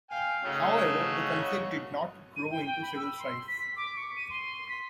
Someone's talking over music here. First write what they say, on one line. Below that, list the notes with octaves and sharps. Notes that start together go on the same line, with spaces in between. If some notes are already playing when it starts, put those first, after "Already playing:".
However, the conflict did not grow into civil strife.
F5 G5 G#5
C#3 A3 D#4 F#4 C#5
D#7
G5
G5
B5
E6
C6
B6
D6
C#6
D#7
C6
B6